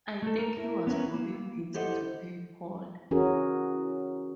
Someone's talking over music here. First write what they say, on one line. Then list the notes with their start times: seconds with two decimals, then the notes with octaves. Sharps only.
I think he was robbing Peter to pay Paul.
0.22 A3 A4
0.38 A#4
0.57 E4 A#4
0.87 B3 C#4 A#4 B4
1.14 A#3
1.74 E4 G4 A4 C5 D#5 F#5
3.11 E3 C#4 F#4 G#4 A#4